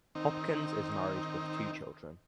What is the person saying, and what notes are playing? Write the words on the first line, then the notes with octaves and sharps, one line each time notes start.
Hopkins is married with two children.
D#3 C4 D#4